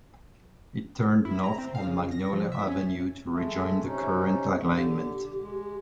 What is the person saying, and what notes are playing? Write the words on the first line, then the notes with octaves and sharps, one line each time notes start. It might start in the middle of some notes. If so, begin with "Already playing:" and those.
It turned north on Magnolia Avenue to rejoin the current alignment.
E4
A#5
C4
F5
C#3
A#6
F3
E5
C#4
G#3 A3
C3 C#4 D#4
D3
G4
G#3